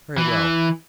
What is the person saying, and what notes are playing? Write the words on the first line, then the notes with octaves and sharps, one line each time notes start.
Very well.
E3